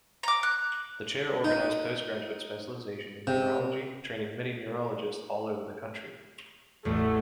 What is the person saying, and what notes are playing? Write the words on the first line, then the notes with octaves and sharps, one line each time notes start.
The chair organized post-graduate specialization in neurology, training many neurologists all over the country.
A#5 D6
F#6
D#4
C3
A1 E2 A3